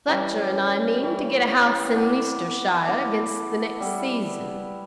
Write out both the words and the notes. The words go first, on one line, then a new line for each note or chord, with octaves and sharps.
Fletcher and I mean to get a house in Leicestershire, against the next season.
E3 G3 C#4
E3 G3 C#4
B3 E4 A4 D5
B3 E4 A4 D5
G3 B3 E4